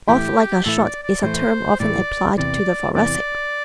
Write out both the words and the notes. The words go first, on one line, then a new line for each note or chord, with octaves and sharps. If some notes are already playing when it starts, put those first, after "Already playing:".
"Off like a shot" is a term often applied to the Thoracic.
A2 E3 A3 E4 G4
A2 E3 A3 E4 A4
D5
D5
A2 E3 A3 C5
A2 E3 A3 D5
E2 C3 E3 D5
E2 C3 E3 D5